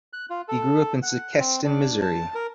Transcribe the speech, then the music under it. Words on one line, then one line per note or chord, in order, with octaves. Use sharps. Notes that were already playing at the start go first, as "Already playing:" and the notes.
He grew up in Sikeston, Missouri.
F#6
F4
A4
F#5
C4
D4
A5
A#4